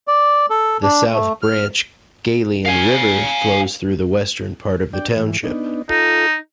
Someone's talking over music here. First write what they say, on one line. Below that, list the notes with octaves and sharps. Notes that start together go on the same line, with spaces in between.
The South Branch Galien River flows through the western part of the township.
D5
A4
D4
A3
F6
F5 G#5
D4 D5 G5
G#2 E3
B3 D4 D#4
D#4 F4 A4